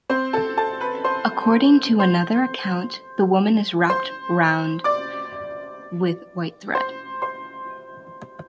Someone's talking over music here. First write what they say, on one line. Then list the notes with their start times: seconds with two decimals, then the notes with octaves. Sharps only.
According to another account, the woman is wrapped round with white thread.
0.09 C4 C5
0.33 A4 A5
0.57 A4 A5
0.81 B4 B5
1.04 C5 C6
2.00 C5 C6
3.90 C5 C6
4.84 D5 D6
6.75 C5 C6
7.22 C5 C6